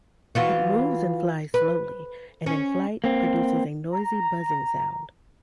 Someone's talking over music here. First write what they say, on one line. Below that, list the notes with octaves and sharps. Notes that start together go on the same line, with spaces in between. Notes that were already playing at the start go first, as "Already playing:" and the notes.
It moves and flies slowly, and in flight produces a noisy buzzing sound.
E3 F4 F#4
B4
C#4
A#3 C4
A#5